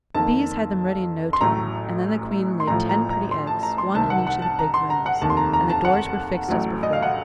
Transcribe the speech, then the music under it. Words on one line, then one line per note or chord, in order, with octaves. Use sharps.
The Bees had them ready in no time, and then the Queen laid ten pretty eggs, one in each of the big rooms, and the doors were fixed as before.
F2 D#3 A#3 A5
C6
A1 A2 F#3 A3 A#5
C6
A1 A2 F3 A#5
A#5
A#5
C6
A5
A#5
C6
C2 C3 D#3 A5
F#5
F#5
A5
A#5
C6
A#5
F#5
F1 D#2 D#3 A5
C6
A#5
A#5
A5
F#5
A1 A2 F#3
D#5
F5
F#5